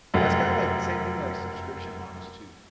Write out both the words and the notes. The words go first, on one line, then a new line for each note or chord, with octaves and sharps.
That's kinda like same thing with, like, subscription models too.
F1 F#2